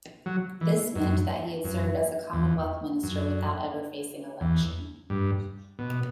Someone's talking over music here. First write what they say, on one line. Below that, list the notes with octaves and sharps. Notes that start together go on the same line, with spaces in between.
This meant that he had served as a Commonwealth Minister without ever facing election.
F#3
E3
F#2
F#2
E2
F#2
E2
G2
B2